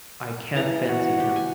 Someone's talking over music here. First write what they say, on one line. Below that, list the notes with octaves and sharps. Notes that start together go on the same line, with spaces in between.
I can’t fancy him.
E3 A5 A#5
F#4
G4
G#5